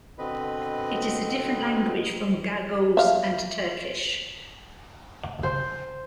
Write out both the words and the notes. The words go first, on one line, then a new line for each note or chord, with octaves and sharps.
It is a different language from Gagauz and Turkish.
B2 D3 C4 B4 D#5 B5
E5 F5
C5